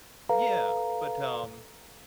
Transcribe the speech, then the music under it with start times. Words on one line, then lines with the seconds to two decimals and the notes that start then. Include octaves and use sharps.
yeah. But, um,
0.29 A4 B4 F5 A#5